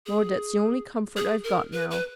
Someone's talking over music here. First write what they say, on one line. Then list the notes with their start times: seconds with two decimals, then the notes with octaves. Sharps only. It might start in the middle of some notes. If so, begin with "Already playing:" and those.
Lord, that's the only comfort I've got now!
0.06 G#4
1.16 G#4
1.44 A#4
1.72 B4
1.91 B4